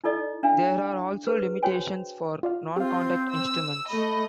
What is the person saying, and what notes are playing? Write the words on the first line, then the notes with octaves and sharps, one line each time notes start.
There are also limitations for non-contact instruments.
D#4 E4 A4 D5 D#5
D4 F5 G#5
G#4 B4 C5
F#4 C5 C#5 G5 G#5
F4 D5 F5
C4 F4 G4 F5
E6
A3 D#5 B5